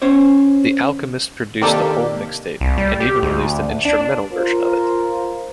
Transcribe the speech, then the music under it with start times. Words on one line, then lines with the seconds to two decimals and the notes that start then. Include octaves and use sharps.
The Alchemist produced the whole mixtape, and even released an instrumental version of it.
0.02 C#4 C5 C#5
1.61 C3 D#3 A#3 D4 G4 A4
2.61 C2
2.78 G3
3.00 G4
3.22 D2
3.85 D4
4.31 F4 A#4 C5